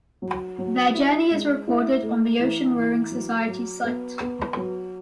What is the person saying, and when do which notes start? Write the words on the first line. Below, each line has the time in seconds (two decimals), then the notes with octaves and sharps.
Their journey is recorded on the Ocean Rowing Society's site.
0.22 F#3
0.58 F#3
0.94 E4
1.31 G#3
1.68 E4
2.02 A3
2.39 E3
2.76 E3
3.11 F#3
3.48 F#3
3.84 B3
4.20 B3
4.57 F#3